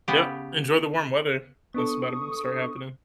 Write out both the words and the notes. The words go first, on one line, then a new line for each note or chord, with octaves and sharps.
yep. Enjoy the warm weather that's about to b start happening.
C#3 B3 G4
B3 D4 A4 C#6 D#6